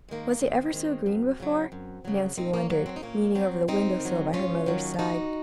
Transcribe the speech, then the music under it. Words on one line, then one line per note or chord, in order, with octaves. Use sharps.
"Was it ever so green before?" Nancy wondered, leaning over the window-sill by her mother's side.
D#3 G#3 A#3
D#2 C4
D#3 G#3
F#2
C#3 F#3
F#2
C#3 F#3
A#2 C4 D#4
A#3 C#4
F#3 A#3
C4
D#4
A#2 A#3 C#4
F#3 C4
G#2 C4 D#4
D#3 F#3
G#2 C#4 F4
D#3 F#3
F4
D#2 D#4 F#4